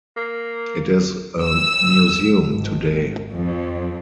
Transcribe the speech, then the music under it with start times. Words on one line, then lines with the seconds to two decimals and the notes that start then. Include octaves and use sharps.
It is a museum today.
0.16 A#3
1.44 E6
2.48 G#1
3.32 F2